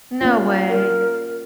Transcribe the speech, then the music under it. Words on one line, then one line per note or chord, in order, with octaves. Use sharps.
No way.
A#3 C#4 F4
A#4